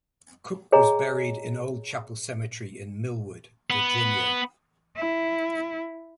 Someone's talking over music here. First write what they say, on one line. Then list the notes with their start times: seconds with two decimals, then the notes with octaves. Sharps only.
Cooke was buried in Old Chapel Cemetery in Millwood, Virginia.
0.72 G#4 C#5 D#5 G#5 A#5
3.70 B3 B4
4.96 E4